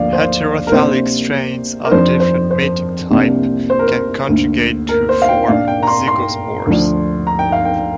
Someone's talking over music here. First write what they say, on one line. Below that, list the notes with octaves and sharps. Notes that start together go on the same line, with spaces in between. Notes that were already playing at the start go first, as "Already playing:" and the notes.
Heterothallic strains of different mating type can conjugate to form zygospores.
Already playing: D2 D3 F3 A#3 D4 D5 F5
C5
A#4
C3 A#3 D4 C5
A#4
F2 F3 D4 C5
C5
C5
C2 C3 A#3 D4
C5
A#4
C5
D2 D3 A#3
A#4
C5
F5
G5
A#2 A#3 D4 F5
G5
A#5
C6
C6
D2 D3 F3 D4
A#5
G5
F5
G5